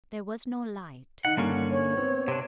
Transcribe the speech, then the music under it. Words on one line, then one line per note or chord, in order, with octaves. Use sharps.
There was no light.
D#3 D#4 F#5
G2 D3 A#3 C#4
C#5
B3 C4
C3 D4